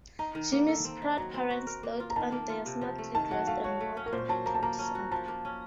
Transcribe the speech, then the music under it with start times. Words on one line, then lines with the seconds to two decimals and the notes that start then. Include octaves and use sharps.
Jimmy's proud parents dote on their smartly dressed and well-connected son.
0.19 D#4 A#5
0.35 D#3
0.52 A#3
0.68 A4
0.85 C4
1.02 D#4
1.17 F#3 A#5
1.34 C4
1.50 F#4
1.67 A#4
1.83 A#3
2.00 F4
2.10 A#5
2.16 D#3 A5
2.32 A#3
2.49 F4
2.66 C3
2.82 F3
2.98 A3
3.15 D#3 A5
3.31 F#3 F#5
3.47 A3 F5
3.64 F#4 C#5
3.81 A3
3.97 C#4
4.06 A#4
4.13 A#2 C5
4.29 F#3 A5
4.46 A#3 A#5
4.55 A5
4.63 A#3 A#5
4.79 C#4
4.95 F#4
5.12 F3 A5
5.28 A#3
5.45 C#4